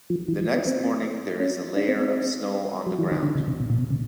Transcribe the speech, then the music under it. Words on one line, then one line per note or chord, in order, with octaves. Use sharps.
The next morning there is a layer of snow on the ground.
F3
E3
F3
B3
C4
C#4
D4
C4
C4
F#3
E3
D#3
D3
C#3
C3
B2
A#2
B2
C#3